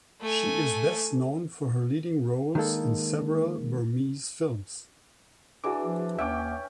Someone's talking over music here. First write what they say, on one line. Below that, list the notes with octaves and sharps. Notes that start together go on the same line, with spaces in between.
She is best known for her leading roles in several Burmese films.
A3 G#5
D#3 G#3 A#3 A4
E3 D4 F#4 G#4 D6
F3
D#2 C#4 E5 F#5 G5 D6